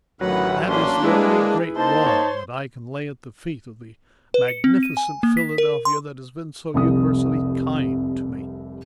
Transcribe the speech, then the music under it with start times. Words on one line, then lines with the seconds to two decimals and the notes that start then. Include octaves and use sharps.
That is the only great wrong that I can lay at the feet of the magnificent Philadelphia that has been so universally kind to me.
0.21 A1 D2 D#3 F#3 B4 F#5
0.68 A#3 C#4 D4 C6
1.03 G#3 E4 G#4 B4
1.76 A#3 D#4 C5 A5 C6
2.07 C#5
4.34 B4
4.48 C#7
4.64 C4
4.83 D#7
4.97 G#5
5.23 A#3
5.37 B6
5.58 A#4
5.85 C6
6.74 F1 C2 D#6